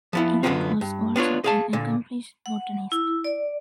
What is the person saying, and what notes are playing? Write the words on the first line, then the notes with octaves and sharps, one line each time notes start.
Egede was also an accomplished botanist.
F3 B3 E4
F#2 D3 B3 C#4 D#4 F4
G2
B3 D4 F4 C#5
G#4 F5 A5
A#2 D3
F#5
E4
D5